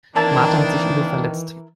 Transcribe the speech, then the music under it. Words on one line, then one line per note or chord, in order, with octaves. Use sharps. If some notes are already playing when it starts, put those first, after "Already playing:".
Martha hat sich übel verletzt.
D#3 E3 A#3 C4 D4 E4 A#4 A5